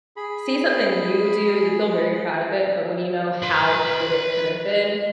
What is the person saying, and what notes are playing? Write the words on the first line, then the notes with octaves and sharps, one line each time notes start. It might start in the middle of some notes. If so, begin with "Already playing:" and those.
see something you do, you feel very proud of it, but when you know how good it could've been,
G#4 B5
B4 C6